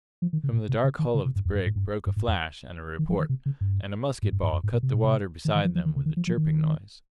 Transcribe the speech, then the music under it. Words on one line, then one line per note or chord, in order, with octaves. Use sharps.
From the dark hull of the brig broke a flash and a report, and a musket ball cut the water beside them with a chirping noise.
F3
D#3
C#3
A#2
C3
C#3
D#3
C#3
C3
G2
F2
G2
G#2
G2
G2
G#2
F2
D#3
F3
D#3
C3
C#3
G2
G#2
G2
G2
F2
G#2
A#2
C3
A#2
C3
D#3
D#3
F3
F3
D#3
C#3
D#3
F3
F3
D#3